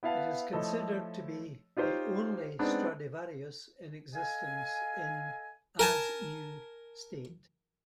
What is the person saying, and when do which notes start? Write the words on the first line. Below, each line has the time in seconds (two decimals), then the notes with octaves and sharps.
It is considered to be the only Stradivarius in existence in "as new" state.
0.03 B3 E4 B4 F5 A5
0.53 F3 A3 E4 A4 C#5 D#5
1.77 D#4 F4 G4 C5 C#5
2.59 G#3 B3 C4 D4 D#4
4.14 A4 D#5 F5 G#5
5.79 A#4 G#5 A5